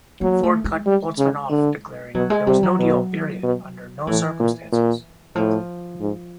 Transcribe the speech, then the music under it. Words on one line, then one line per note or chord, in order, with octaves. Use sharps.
Ford cut Holtzman off, declaring, There was no deal, period, under no circumstances.
F#3 A#3
A3
G#3
G3
C#3
D3
B2 F#3
G#3
C3 G3
F#3
B2
B2
A2 E3
A#2
A#2
A2 F3
G#2